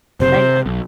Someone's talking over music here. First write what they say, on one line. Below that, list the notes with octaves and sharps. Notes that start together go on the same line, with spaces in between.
they know.
F#1 C3 C5
C3
B1